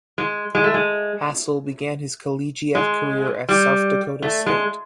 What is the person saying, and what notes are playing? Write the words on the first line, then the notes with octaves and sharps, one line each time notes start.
Hassell began his collegiate career at South Dakota State.
G#3
G#3
A3
G#3
G#3
G3
A3
G#3